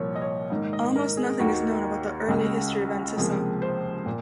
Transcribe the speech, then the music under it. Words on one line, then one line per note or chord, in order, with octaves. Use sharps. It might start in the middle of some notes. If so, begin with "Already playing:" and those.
Almost nothing is known about the early history of Antissa.
Already playing: C2 A#2 F3 A#3 C#5
D#5
C#5
G#2 D#3 A#3
D#5
A#4
G#4
D#2 D#3 A#3 F#4
C#2 C#3 G#3
C#2 C3 F3 A#3 G#4
C5
A#2